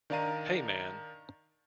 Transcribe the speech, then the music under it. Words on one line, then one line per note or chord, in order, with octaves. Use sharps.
Hey man!
D#3 D4 D5 F5 A#5 D#7